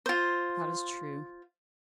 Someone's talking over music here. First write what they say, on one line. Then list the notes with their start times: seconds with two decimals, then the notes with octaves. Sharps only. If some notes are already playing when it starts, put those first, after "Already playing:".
"That is true."
0.06 F4 C5